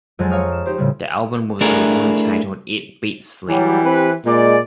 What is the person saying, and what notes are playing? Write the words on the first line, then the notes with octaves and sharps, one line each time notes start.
The album was originally titled "It Beats Sleep".
F2 F#3 G#3 G#4 C5 A6
A#4 C#5 F5 C#6 D#6 F6
E7
D#4 G4 C5
A2 C#3 G3
A3 D4 E4 G#4 A#4
E3 F#3 G3
C4 G4 B4
A#2 G#3 D5